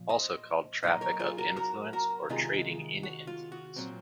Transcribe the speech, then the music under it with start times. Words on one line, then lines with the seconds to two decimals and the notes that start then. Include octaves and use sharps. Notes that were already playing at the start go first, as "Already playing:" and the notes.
Also called traffic of influence or trading in influence.
Already playing: A#2 F3
0.09 C5 D#5
0.83 A#2 F#3 A#3 D#4 C5 D#5
1.01 A#4 C#5
1.19 F4 G#4
1.38 F#4 A#4
1.56 F#4 A#4
1.93 F#4 A#4
2.29 C3 D#3 G#3 D#4 F4 G#4
3.03 F#4
3.27 F4
3.52 F#4
3.76 A#2 F#3 C4